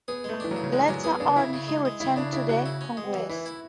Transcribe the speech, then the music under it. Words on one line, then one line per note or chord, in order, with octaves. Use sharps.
Later on he returned to the Congress.
B3 G#4
G#3 A3
E3 D4
F#3
C#3
F#3
C#3 G#3
F#3 D4
B3 G#4
C#3 D4
C#3 E4
C#3
G#3
G#3
C#3 E4
C#3 D4
C#3 E4
C#3 F#4
E4
C#4
G#3
E3
E3 E4
E4